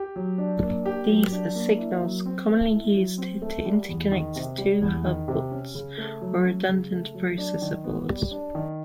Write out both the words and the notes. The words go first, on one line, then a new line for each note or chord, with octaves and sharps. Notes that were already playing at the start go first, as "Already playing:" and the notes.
These are signals commonly used to interconnect two hub boards, or redundant processor boards.
Already playing: G4
F#3
D4
A#3
G4
F#3
D4
A#3
E4
F#3
C4
A3
E4
F#3
C4
A3
G3
E2
D#3
C3
G3
E2
D#3
C3
C#4
C#3
A3
F#3
C#4
C#3
A3
F#3
D4
D#3
B3
G3
D4
D#3